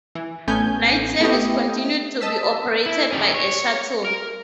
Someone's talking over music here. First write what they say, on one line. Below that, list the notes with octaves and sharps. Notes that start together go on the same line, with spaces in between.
Night service continued to be operated by a shuttle.
E3
A1 A3 B3 C#4 G#5 G6
A3 B3 E4 G4 D#5 G5
D#5 A5 E6 B6
E4
C#4 D#4 G4 A4
C#5
A#4